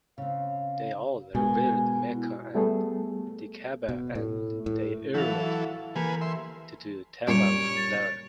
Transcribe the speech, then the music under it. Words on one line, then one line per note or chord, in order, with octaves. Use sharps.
They all revered Mecca and the Ka'bah and they yearned to do tawaf there.
C#3 C4 F5
B2 G#3 F#4 A#4 G#5
E4
G3 A3 B3 G#4 A4
B2
A2
A2
E3 F#3 E4 A4 F5
E3 A#3 G4 A4 B4 G#5
E5 C6
F#2 A#2 G3 C#5 D7
A6